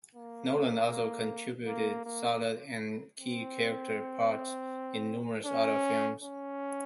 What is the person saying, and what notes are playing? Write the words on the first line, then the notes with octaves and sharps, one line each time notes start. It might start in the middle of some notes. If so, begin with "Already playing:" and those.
Nolan also contributed solid and key character parts in numerous other films.
A#3
A#3
A#3
C4
C#4
C#4